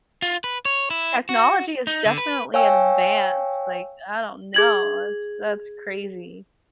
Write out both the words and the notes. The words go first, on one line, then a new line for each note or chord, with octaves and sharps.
technology is definitely advanced, like, I don't know, it's that's crazy.
F4
B4
C#5
E4
F#4
D#4
D3
B4
C#5 F5 G5 G#5 E6
G#4 G#6 F#7